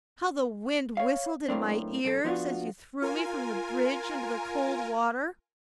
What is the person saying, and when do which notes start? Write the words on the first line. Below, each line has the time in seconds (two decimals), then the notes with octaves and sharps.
How the wind whistled in my ears as you threw me from the bridge into the cold water!
0.97 C#5 F5
1.48 F#2 A2 A#3 C4 D4
2.05 B1 A4
2.24 F3 B3 D4 F4 F#4
3.02 F4 A#4 G#5